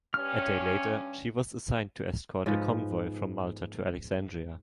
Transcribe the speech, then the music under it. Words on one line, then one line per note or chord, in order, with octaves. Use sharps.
A day later, she was assigned to escort a convoy from Malta to Alexandria.
G2 C#4 F6
G#2 F3 B3